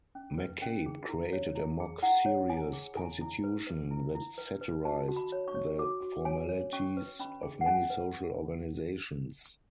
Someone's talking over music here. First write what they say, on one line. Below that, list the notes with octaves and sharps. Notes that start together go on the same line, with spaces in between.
McCabe created a mock-serious "constitution" that satirized the formalities of many social organizations.
C#4
B4
C#4
G#4
E4
C#5
E4
G#4
E4 F#5
C#5
E4 G#5
G#4
E4 G#5
E4
B4
B4
E4
E4
B4
B4
F#4 A5
F#4
B5
C#5
C#6
C#5
F#4 D6
F#4
C#5 G#5
C#5
C#4 C#6
B4
C#4 B5
G#4
F#5
C#4 G#5
B4